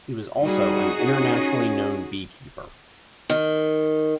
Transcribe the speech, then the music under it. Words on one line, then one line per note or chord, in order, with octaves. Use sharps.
He was also an internationally known beekeeper.
G3 D#4 F#4 G#4
C#4
D#3